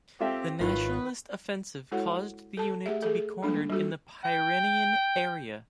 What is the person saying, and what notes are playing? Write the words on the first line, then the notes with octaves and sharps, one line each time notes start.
The nationalist offensive caused the unit to be cornered in the Pyrenean area.
C4 F4 G4 A4 E5
G#1 D#3 E4 F4 B4 C#5
G#3 E4 F#4 A4 C#5 F#5
A4 A5
A3 G4 G#4 E5
G#4 A4
G3 G#3 A#3 D4 A4
G3 F4 F#4 A4
G5